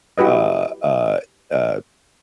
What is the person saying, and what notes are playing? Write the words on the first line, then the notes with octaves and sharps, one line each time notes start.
uh, uh, uh
E4 F#4 G4 B4 D#5